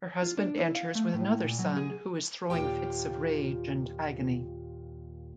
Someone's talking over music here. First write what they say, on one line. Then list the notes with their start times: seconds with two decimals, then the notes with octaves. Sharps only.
Her husband enters with another son who is throwing fits of rage and agony.
0.22 F4
0.37 D4
0.58 E4
0.75 F5
0.95 A3
1.14 A2
1.44 A#2
1.59 F#3
1.77 G#4
2.50 D#2 A#2 F4 G4 G5